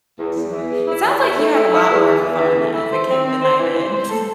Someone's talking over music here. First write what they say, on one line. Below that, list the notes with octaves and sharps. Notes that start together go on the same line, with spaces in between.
So it sounds like you had a lot more fun as a kid than I did.
E2
E2
E3
E2
E4
E2
E4
A3
E4
E4
E2
E3
E2
E3
A3
E4
C5
C4
C4
C5
E3
C5
C5
A4